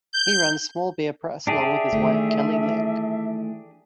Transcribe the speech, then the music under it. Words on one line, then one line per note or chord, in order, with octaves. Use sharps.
He runs Small Beer Press along with his wife Kelly Link.
G6
D4 G4 G#4 E5
D#3 E3 A3